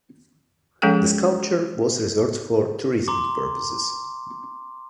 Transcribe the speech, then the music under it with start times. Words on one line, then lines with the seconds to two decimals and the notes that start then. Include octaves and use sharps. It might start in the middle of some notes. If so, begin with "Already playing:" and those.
The sculpture was reserved for tourism purposes.
0.82 F3 G#3 C#4 G#4 A4 G5
3.08 A#5 C6 D6